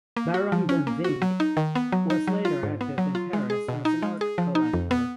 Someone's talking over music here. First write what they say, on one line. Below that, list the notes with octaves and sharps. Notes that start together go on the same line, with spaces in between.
Baron de Vinck was later active in Paris as an art collector.
A#3
F#4
F3
C#4
A#3
F#4
F#3
D#4
D#3
B3
F#3
D#4
F#3
F4
G#2
B3
F#3
F4
G#3
G#4
B2
D#4
G#3
G#4
F3
D#4
F2
B3